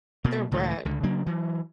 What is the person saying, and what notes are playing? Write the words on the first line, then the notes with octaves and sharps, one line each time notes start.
They're a brat.
B2 A#3
C#2 A2 D#3 A3
C#2 D3
C#3 F#3 A#3 D4
E3 F#3